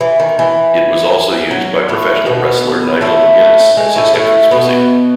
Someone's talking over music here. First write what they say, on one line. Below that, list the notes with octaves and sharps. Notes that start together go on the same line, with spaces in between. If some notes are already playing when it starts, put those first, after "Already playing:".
It was also used by professional wrestler Nigel McGuinness as his entrance music.
E3
D#3
E3
F#3
A2 A3
B2 B3
A2 A3
G#3
A2 A3
A2 A3
B2 B3